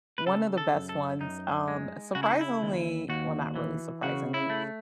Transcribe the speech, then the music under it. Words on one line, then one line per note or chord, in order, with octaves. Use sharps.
one of the best ones. Um, surprisingly well, not really surprisingly,
B4
C#3 A4
A4
F#2
A4
F#2 D#4
G#3
C#3 F#4
E4
D#4
E4
D#2
D#2 F#4
E3
C#3 F#4
E4
A3